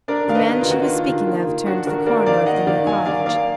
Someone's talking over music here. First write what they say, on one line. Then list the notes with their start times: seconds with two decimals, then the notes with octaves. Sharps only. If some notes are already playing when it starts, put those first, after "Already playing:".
The man she was speaking of turned the corner of the new cottage.
0.08 D4 A#4 D5
0.28 D#3 F5
0.35 B4 D#5
0.49 A#3
0.61 F4
0.68 D#3 F#4
0.82 F4
0.88 D4
1.07 D#3
1.27 A#3
1.47 D#3
1.67 D4 F#4
1.87 D#3 F#4 A#4
2.06 A#3 A#4 D5
2.26 D#3 D5 F5
2.46 A#3 D#5 F#5
2.67 D#3 D5 F5
2.86 F#3 F5 G#5
3.06 D#3 D5 F5
3.26 A#3 D5 F5